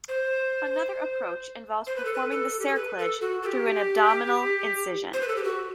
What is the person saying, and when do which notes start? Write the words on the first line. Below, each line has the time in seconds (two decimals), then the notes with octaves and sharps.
Another approach involves performing the cerclage through an abdominal incision.
0.08 C5
1.87 C5
1.96 B4
2.05 A4
2.14 B4
2.31 A4
2.59 G4
2.68 A4
2.75 B4
2.99 A4
3.21 F#4
3.43 A4
3.46 G4
5.13 C5
5.22 B4
5.28 A4
5.36 G4
5.44 F#4